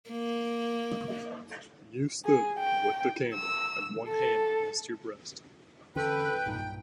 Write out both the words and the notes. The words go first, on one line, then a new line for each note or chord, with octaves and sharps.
You stood with the candle and one hand against your breast.
A#3
G#4
G5
E6
A4
E2 D3 C#4 A4 B4 G5
B1 G2 A#2 D#4